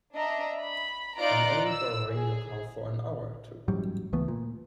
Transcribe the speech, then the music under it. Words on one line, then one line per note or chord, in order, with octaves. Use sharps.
I’m only borrowing your car for an hour or two.
D4 D#5 E5 A#5
B5
D#4 F4 D5 A#5 F#6 D7
E6
G#4
A1 G#2 F#3 G3
C#2 E3 A3 B3
A#2